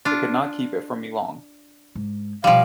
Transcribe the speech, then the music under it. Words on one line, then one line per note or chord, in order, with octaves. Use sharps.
They could not keep it from me long.
D4 F4
G#2
B2 F3 G3 A#3 F5